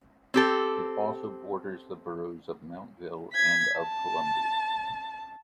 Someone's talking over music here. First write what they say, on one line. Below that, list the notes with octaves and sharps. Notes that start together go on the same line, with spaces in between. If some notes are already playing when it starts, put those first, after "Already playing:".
It also borders the Boroughs of Mountville and of Columbia.
C4 G4 A4
G#6 B6
A5